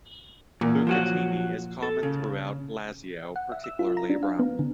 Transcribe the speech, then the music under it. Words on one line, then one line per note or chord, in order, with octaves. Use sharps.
Bucatini is common throughout Lazio, particularly Rome.
E2 A#2
F3 F#3 F#4
A4
C#3
F#5
E5
E6
F4
A#5
D4
F5
B3
D3